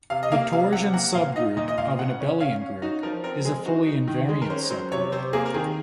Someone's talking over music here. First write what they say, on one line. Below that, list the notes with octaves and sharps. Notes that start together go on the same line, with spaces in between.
The torsion subgroup of an abelian group is a fully invariant subgroup.
C3 F5
D#5
A#3 F5
C3 F5
C3 F#5
A#3 F#5
A#2 F5
D#4 D#5
A#2 D#5
D#5
A#2 F5
C#3 F#5
C#4
C#4 F5
C#4
D#4 F#4
F3 A#4
C4 A#4
G#3 G#4
D#4 F#4
D#4
D#3
G#3
A#4
C#4 C5
F#3 C5
C3 C#5
C3 C5
A#3 G#4
A#4
D#3 G#4